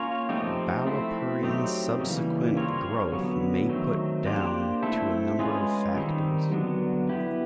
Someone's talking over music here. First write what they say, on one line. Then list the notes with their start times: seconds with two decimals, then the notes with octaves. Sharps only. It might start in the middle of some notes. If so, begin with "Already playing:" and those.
Ballyporeen's subsequent growth may put down to a number of factors.
Already playing: A#3 C#4 F4 A#4 C#5
0.29 F3 A3 C4 D#4 G4
0.87 A3 C4 E4
1.43 F#3 A3 C4 D#4 G4
2.00 C#3 E3 G3 A#3
2.57 G3 C4 F4 A#4 C#5
3.12 D3 F#3 B3
3.69 D#3 F#3 A3 C4
4.26 A#3 D4 G4 C5
4.83 A3 C4 E4 A4
5.39 G#3 C#4 F4 G#4 B4
5.95 D#3 G3 C4 D#4
6.52 D3 F#3 B3 D4
7.09 B3 E4 G4